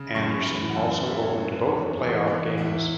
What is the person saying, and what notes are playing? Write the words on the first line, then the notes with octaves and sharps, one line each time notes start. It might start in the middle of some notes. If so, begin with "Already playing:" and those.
Anderson also opened both playoff games.
Already playing: C#3
F#2 C#6
E3 B5
F#5
F#2 G#5
C#3 E5
C#5
F#2 C#5
B4
E2 C#5
E3 G#4
E3 E4
E2 E4